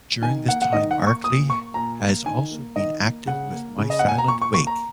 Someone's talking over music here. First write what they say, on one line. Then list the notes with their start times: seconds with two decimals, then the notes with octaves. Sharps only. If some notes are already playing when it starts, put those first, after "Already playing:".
During this time, Arkley has also been active with My Silent Wake.
0.22 D#3 G#5
0.47 A#3 F#5
0.62 F#5
0.73 D#3 D#5
0.91 F#5
0.99 A#3
1.07 C#6
1.24 A#2 D#6
1.49 A#3 C#6
1.74 A#2 A#5
2.00 A#3
2.26 D#3 G#5
2.51 A#3
2.76 D#3 D#5
3.01 A#3
3.26 C#3 F#5
3.52 A#3
3.78 C#3
3.90 D#5
3.99 A#3 F#5
4.08 G#5
4.18 A#5
4.28 A#2 C#6
4.42 C#6
4.54 A#3 C#6
4.67 A#5